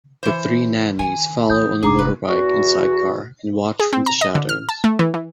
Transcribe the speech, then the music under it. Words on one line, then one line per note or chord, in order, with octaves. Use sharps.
The three nannies follow on a motorbike and sidecar and watch from the shadows.
E3 C5
D#3 G#5
E3 D#6 G6
F1 D3 D4 G#4 A#5 D6
B4
E2 F#4
G#4
C4
A#5
D#5
D3
F6
A5
A3
E3
E3